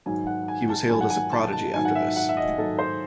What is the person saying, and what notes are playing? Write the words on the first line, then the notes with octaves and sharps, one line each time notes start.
He was hailed as a prodigy after this.
G#2 D#3 F#3 G#5
F#5
G#5
A5
G#2 D#3 F#3 G#5
F#5
G#5
A5
A5
G#2 D#3 F#3 G#5
F#5
E5
F#5
E5
D#5
G#2 D#3 F#3 A4
C5